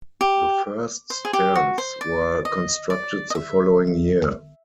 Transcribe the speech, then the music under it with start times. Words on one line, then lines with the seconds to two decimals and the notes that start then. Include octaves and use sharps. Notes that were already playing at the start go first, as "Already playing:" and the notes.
The first stands were constructed the following year.
0.21 G4
1.10 C5
1.25 G#4
1.33 G4
1.55 F#4
1.78 C5
2.01 D5
2.45 D#5
2.90 D5
3.30 D#5
3.35 E5